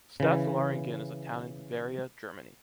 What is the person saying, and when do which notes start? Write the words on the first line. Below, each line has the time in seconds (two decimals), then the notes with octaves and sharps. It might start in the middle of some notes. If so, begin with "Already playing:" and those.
Stadt Lauringen is a town in Bavaria, Germany.
0.20 C#3 E3